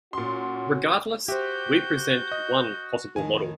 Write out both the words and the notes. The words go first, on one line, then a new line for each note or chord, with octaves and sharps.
Regardless, we present one possible model.
A#2 C#4 F#4 C6
F#4 G4 C5 E5 G6
D#5
F2 A2 D#3 G#5